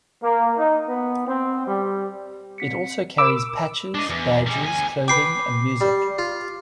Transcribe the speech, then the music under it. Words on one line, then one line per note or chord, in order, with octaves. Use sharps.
It also carries patches, badges, clothing and music.
A#3
D#4
B3
C4
G3
C4 B6 C#7
A#4 B5 D6 E6
D4 D#5
E2
G3 G#3
D2 G#5
B4 G5 D6 C7
G3
F4